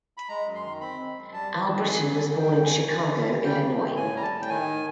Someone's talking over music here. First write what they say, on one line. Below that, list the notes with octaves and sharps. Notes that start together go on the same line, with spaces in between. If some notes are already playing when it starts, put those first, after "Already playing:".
Albritton was born in Chicago, Illinois.
B5
G#3 A#5
F#2
C6
D#3
C4 B5
G#3
F#2
G3 A5
G#2
D#3
C4 G#5
G3
G#2
G3 G5
E2 G5
G#5
B2
E2
G3
E2
G3 G5
A2
E3
A2 G#5
G3 A#5
A5
A2
G5
D#3 G#5